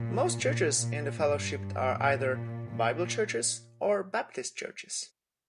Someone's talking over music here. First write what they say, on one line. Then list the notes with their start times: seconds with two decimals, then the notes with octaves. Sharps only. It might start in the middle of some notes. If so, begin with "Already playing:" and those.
Most churches in the fellowship are either "Bible Churches" or "Baptist Churches".
Already playing: A#2
0.42 A#2
0.80 A#2
1.18 G2
1.94 A#2
2.70 A#2